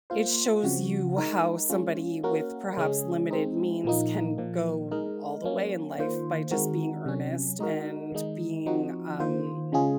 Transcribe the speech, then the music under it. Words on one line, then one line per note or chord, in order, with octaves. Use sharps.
it shows you how somebody, with perhaps limited means, can go all the way in life by just being earnest and being, um,
A#3 F4 C5
C#3 F3 C4 F#4
G#3 D#4 A#4
G#3 C#4 F4
A#3 C#4 F#4 A#4
C#3 G#3 C#4 G#4
G#3 C4 D#4
A#2 F3 A#3 D#4
A#2 F3 A#3
G#3 D#4 A#4
F#3 A#3 C#4
D#3 A#3 F4 C5
D#3 G#3 C4 F#4 A#4
C3 F#3 C#4
G#3 D#4 F#4 A#4
D#3 G#3 D#4
F3 C4 D#4 F#4
D#3 A#3 F4 C5
C#3 G#3 C#4 F4 G#4